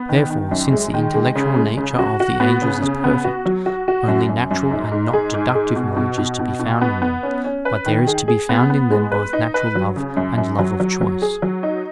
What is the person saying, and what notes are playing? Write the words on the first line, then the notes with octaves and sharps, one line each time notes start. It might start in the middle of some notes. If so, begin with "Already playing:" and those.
Therefore, since the intellectual nature of the angels is perfect, only natural and not deductive knowledge is to be found in them, but there is to be found in them both natural love and love of choice.
Already playing: B3
D#3
D#3
F#2
G#3
D#3
G#3
C#3
G#3
C#3
F#4
F#4
B3
C#3
C#3
B3
F#4
F#3
F#4
F#4
F#2
F#2
F#2
G#2
G#2
G#4
G#2
G#4
B2
B2
B2
B2
B2
B3
B3
C#4
C#4
B4
D#3
G#4
G#4
B3
B3
G#3
B4
D#4
B4
F#3
C#3
F#2
F#2
F#3
F#3
F#3
G#4
F#3
D#4